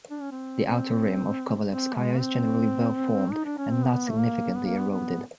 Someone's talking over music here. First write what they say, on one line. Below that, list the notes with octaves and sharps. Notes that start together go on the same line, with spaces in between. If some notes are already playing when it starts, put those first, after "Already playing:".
The outer rim of Kovalevskaya is generally well-formed and not significantly eroded.
D4
C#4
C4
C4
C4
G#3
C4
D#4
D4
C#4
C4
B3
A3
A#3
B3
A#3
B3
B3